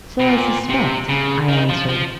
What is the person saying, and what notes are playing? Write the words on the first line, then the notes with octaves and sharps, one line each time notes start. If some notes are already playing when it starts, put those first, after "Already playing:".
'So I suspect,' I answered.
B2
A#2
C3
C#3
D#3
F3
F3